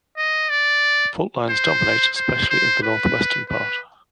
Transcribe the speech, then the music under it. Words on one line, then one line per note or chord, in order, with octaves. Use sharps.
Fault lines dominate especially in the northwestern part.
D#5
D5
C5
C5
C5
B4
B4